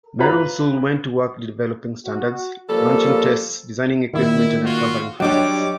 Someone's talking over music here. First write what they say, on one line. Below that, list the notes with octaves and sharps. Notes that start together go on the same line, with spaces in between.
Merrill soon went to work developing standards, launching tests, designing equipment and uncovering hazards.
F4 B4 A#5
F#4
C#3 F3 G3 A#3 A4
A#2 D#3 E4
F4 F#4
F#3 G3 D4 G4 C#5 D#5 G5 D6